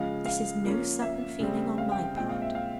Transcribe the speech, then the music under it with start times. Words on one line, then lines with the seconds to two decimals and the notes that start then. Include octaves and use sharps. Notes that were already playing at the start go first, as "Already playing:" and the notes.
This is no sudden feeling on my part.
Already playing: C#3 F3 G#3 F5
0.26 F5
0.64 F3 A#3 C#4
1.02 E5
1.40 C#3 G3 C4
1.78 F5
1.91 G5
2.04 G5
2.16 A#2 G#3 C4 G5
2.29 F5
2.42 E5
2.55 F5